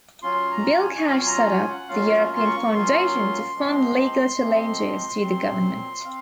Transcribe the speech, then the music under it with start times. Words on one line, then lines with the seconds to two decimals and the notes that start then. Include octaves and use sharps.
Bill Cash set-up the European Foundation to fund legal challenges to the government.
0.22 F#3 C#4 F4 C6
0.51 A#5
0.73 F#5
0.78 G#5
0.97 C#6
1.05 F#3 C#4 F4 C6
1.18 G#5
1.26 A#5
1.47 G#5
1.68 F#5
1.89 F#3 A#3 C#4 F4 F5
2.37 C6
2.44 C#6
2.72 F#3 A#3 C#4 F4 C6
3.55 F3 G#3 C4
4.38 F3 G#3 C4
5.21 A#2 F#3 C4
6.04 C4 F5